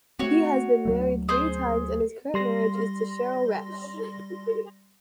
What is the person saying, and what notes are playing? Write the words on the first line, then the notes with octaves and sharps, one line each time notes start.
He has been married three times and his current marriage is to Cheryl Resh.
A3 C4 F#4 C#5
D2 F#3 A3
G#4 C5 G6
G3 C6 A#6